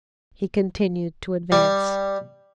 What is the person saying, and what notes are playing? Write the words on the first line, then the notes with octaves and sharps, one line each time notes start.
He continued to advance.
G3